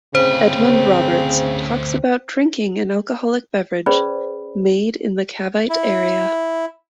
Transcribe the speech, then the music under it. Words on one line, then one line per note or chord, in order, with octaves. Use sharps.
Edmund Roberts talks about drinking an alcoholic beverage made in the Cavite area.
D2 A2 C#3 C4 B4 C5
C#4 G#4 B4 C5 D5 B5
E4